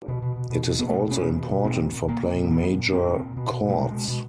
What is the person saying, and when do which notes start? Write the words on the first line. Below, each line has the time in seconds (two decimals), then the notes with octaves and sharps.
It is also important for playing major chords.
0.08 B2
0.22 B2
0.36 B2
0.50 B2
0.65 B2
0.79 B2 B3
0.89 A3
0.93 B2
1.08 B2 C#4
1.21 B2
1.37 B2
1.50 B2
1.64 A#2 C4
1.79 A#2
1.93 A#2
2.08 A#2 A#3
2.23 A#2
2.36 A#2
2.44 A#3
2.50 A#2 B3
2.65 A#2
2.79 A#2
2.93 A#2 C4
3.08 A#2
3.22 A#2
3.36 B2
3.51 B2
3.64 B2
3.70 A3
3.79 B2 G#3
3.93 B2
4.08 B2